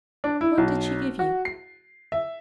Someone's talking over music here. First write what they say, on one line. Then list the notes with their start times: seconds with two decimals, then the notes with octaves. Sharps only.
'What did she give you?'
0.24 D4
0.41 E4
0.58 B1
1.19 F#4
1.45 C7
2.12 E5